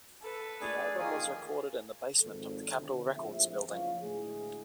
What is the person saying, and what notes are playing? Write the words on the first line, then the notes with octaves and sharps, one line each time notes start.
The album was recorded in the basement of the Capitol Records Building.
A4 B4
A3 D4 G#4
D#3 F3 A#3 G#4
G#1 F2 A4
B2 D3 E3 F3 G4
A#1 A2 C4 E5
F#1 F3 B3 C#5 F5
D2 A2 E3 G#3 G#4